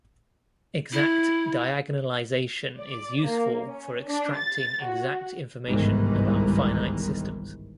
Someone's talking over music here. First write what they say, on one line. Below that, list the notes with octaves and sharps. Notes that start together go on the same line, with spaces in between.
Exact diagonalization is useful for extracting exact information about finite systems.
E4
D5
A#3
C#4
D4
A6
F#4
G1 C2 G#2 D#3 E3